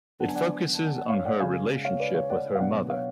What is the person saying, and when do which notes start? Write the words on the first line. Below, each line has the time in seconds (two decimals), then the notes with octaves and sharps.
It focuses on her relationship with her mother.
0.20 D3 F#3 B3 D4 F#5 A5
0.29 G#5
0.35 D5 F#5
0.74 A5
0.86 G#5
0.98 F#5
1.10 C#5 F5
1.25 D5 F#5
1.40 C#3 G#3 C#4 F5 G#5
1.85 C#5 F5
2.00 B4 D5
2.15 C#5 F5
2.30 D5 F#5
2.55 F5
2.60 B2 F#3 B3 D4 D5 F#5
2.90 C#5 F5